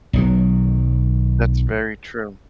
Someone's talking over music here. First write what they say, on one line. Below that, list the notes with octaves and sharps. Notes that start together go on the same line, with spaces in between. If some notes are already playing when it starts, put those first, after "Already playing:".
That's very true.
B1 D#3 F#3